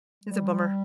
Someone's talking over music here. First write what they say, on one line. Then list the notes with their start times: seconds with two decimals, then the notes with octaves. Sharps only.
it's a bummer.
0.24 G3